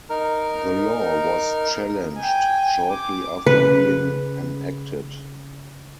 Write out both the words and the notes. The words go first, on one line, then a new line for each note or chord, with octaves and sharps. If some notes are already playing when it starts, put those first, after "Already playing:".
The law was challenged shortly after being enacted.
D#4 A#4
G5 G#5
D6
C#3 B4